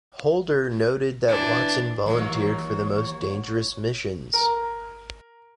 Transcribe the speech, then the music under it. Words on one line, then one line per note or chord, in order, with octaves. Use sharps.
Holder noted that Watson volunteered for the most dangerous missions.
E3 D4
D#2 E3 F#3 A#3 C#5
A#4